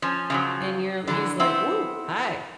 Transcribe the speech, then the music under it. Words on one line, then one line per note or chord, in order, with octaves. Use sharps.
and you're he's like, "Woo, hi."
F3 C#4
C#3 F3 F#3
D3 E3
B3 C4 E4